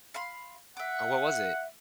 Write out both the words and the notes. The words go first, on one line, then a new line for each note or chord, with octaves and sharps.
Oh, what was it?
F5 B5 C6
E5 F#5 D6